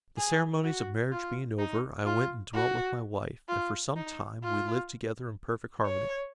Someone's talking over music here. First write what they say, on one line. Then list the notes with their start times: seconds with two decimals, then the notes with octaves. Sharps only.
The ceremonies of marriage being over, I went and dwelt with my wife and for some time we lived together in perfect harmony.
0.18 G#4
0.64 F#4
1.12 F4
1.59 D#4
2.06 F4
2.54 F#4
3.49 F4
3.96 D#4
4.44 F4
5.85 C#5